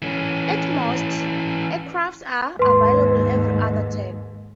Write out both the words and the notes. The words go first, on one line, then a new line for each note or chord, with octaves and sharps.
At most, aircraft are available every other turn.
E3 C#4
D#2 G#2 B4 C6